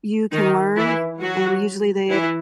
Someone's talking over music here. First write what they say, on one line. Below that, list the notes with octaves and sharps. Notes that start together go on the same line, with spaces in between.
You can learn, and usually they
D#3 D#4
E3 E4
F#3 F#4
E3 E4